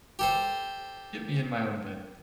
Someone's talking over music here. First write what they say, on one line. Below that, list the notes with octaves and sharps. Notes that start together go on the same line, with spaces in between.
get me in my own bed."
G4 A4 C5